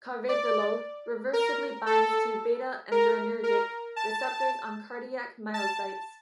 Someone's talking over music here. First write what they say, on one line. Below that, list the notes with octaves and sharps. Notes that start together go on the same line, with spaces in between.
Carvedilol reversibly binds to beta adrenergic receptors on cardiac myocytes.
D5
A#4
A4
A#4
A#4
A5
A5